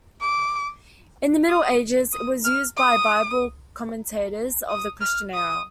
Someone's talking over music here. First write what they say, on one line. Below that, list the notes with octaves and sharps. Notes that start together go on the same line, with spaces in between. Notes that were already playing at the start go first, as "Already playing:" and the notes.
In the Middle Ages it was used by Bible commentators of the Christian era.
D6
D#6
D#6
F6
D#6
D#6
F6
D#6